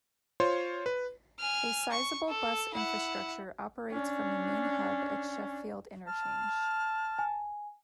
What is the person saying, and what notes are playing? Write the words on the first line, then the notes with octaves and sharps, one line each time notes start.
A sizeable bus infrastructure operates from a main hub at Sheffield Interchange.
F4 C5 C#5 C6
B4
G#5 F6
C#6
A4
E4 F#5
C#4 D4
A5 F6
G#5